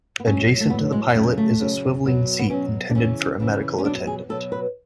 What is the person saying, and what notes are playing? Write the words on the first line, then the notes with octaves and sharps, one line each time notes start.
Adjacent to the pilot is a swivelling seat intended for a medical attendant.
B3
A2 F#3 C#4
A3
A2 F#3 B3
G#3
C#3 F#3 A3
A3
C#3 F#3
B2 F#3
B3
B2 F#3 C#4
D4
C#3 E3 C#4
C#3 E3
C#4
B2 F#3 D4
G#4
B2 F#3 A4
B4